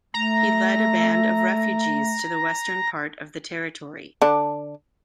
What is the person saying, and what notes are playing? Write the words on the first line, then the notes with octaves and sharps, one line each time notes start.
He led a band of refugees to the western part of the territory.
A3 A#5
D3 D4